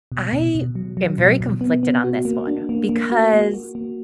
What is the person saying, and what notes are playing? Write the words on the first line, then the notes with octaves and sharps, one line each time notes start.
I am very conflicted on this one, because
B2
B2
B2
F#3
F#3
B2
B2
B3
B3
F#4
A#3
D4
A#3
A#3
F#4
A#3
F#4
A#3